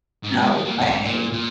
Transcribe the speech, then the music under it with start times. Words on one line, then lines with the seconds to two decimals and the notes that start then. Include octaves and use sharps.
No way.
0.24 G#2
0.38 G#2
0.51 G2
0.65 A#2
0.78 G#2
1.05 A#2
1.33 A#2